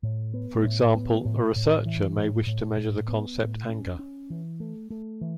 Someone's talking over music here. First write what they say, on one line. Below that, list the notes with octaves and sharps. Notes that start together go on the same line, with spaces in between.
For example, a researcher may wish to measure the concept anger.
A2
B3
A2
B3
A2
A2
E3
A2
A2
A2
B3
A2
C#4
C#4
E3
A3
A3
E3